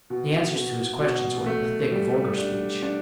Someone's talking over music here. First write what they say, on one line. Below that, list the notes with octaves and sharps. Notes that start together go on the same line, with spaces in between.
The answers to his questions were in the thick, vulgar speech.
B2
B2
B2
A3
G3
D4
D4